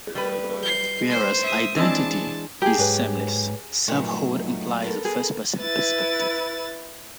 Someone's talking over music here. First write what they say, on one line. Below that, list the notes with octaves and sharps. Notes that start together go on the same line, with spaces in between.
Whereas "identity" is sameness, self-hood implies a first-person perspective.
G3 B4
G6 C7
C5 C6
E5 D#6
E3 G#3 C4 D4 A5
G4 G#4 A#4
G#2 F#3 B4 G#5
G2 A#2 F#3 A3 D#4
B3 A4 A#4
G#4
E4 B4 A6